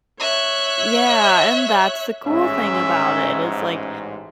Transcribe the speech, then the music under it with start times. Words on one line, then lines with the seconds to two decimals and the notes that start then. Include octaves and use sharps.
Yeah, and that's the cool thing about it is like,
0.19 C#5 E5 F#6
2.27 A1 G#2 C#4 E5